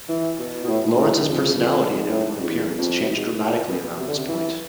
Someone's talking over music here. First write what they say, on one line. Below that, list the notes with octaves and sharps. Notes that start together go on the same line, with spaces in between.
Lawrence's personality and outward appearance changed dramatically around this point.
E3
B2
B2
A2
G#2
A2
G#2
F2
G#2
F2
G#2
A2
G#2
F2
E2
F2
A2
G#2
A2
B2
C3
D3
C3
E3